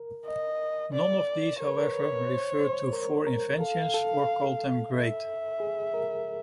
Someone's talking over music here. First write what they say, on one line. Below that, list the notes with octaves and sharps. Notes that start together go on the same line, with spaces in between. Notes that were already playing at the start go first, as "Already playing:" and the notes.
None of these, however, referred to four inventions or called them great.
Already playing: A#4
D#5
D5
A#4 C#5
B4
A#4
B4
C5
C5
A#4
A#4
A4 F5
A4
E5
G#4
A#4